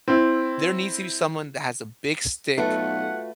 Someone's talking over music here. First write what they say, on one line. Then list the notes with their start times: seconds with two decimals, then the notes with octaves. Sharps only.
There needs to be someone that has a big stick
0.08 C4 E4
2.58 B1 A3 F4 F#4 B4 F#5